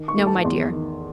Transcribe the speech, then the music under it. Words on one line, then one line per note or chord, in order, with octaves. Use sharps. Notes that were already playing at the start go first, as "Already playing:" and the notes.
"No, my dear."
Already playing: D#3
C#6
A3
A5
E2 C6
D#3